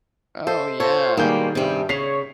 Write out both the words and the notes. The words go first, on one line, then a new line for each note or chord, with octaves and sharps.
Oh yeah.
A4 C5 D#5 E5
F4 A4 C5 C#5
B2 D#3 G3 G#3 A#3 G#4 G6
G2 C3 G3
C#3 C#5 B6 C7 F7